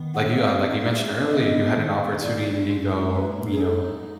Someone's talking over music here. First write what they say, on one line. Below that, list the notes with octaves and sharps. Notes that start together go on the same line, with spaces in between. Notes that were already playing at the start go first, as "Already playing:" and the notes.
like you, uh like you mentioned earlier, you had an opportunity to go, you know,
Already playing: D#3 B3
F#5
C4 F5
G#4 E5
B3 D#5
D#3
E4 D5
G#3
A#3 B4
G#4
D#4 A4